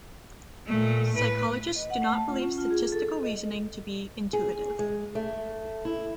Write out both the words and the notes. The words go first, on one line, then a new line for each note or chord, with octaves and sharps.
Psychologists do not believe statistical reasoning to be intuitive.
A#2 A3
A2 B4
D#5
F#5
A3
A5
F4
C#4
F4
G#4
A4
A4
D#5
G#4
G#3
A3
E4